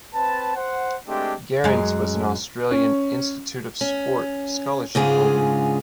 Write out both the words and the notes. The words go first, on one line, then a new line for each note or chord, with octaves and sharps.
Gerrans was an Australian Institute of Sport scholarship holder.
C4 B4 A5
C5 F#5
G#3 A3 C4 D4 G4
F#2 G#3
C#4
C#4
G#2 C#3 G#3 D4 F4 G#4